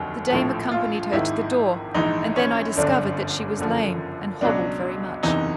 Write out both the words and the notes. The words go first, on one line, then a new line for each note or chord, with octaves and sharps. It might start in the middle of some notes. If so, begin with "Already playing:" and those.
The dame accompanied her to the door, and then I discovered that she was lame, and hobbled very much.
Already playing: F1 D#2 D3 F#3
A#1 A2 F3
F4
G#1 G#2 D#3 E4
A#1 G#2 E3 D#4
C#4
G1 F#2 D3 D4
F#1 F#2 D3 F3
C#2 B2 F#3 D4
F#1 E2 C3 E3 D#4